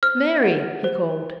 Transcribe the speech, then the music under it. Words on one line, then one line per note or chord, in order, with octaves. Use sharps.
"Mary!" he called.
C5 F6
F#5
C5